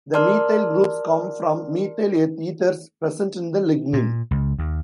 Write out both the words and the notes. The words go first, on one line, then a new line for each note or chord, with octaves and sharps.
The methyl groups come from methyl ethers present in the lignin.
A#4 D5 A5 C6 F6
A#2
C#2
D#2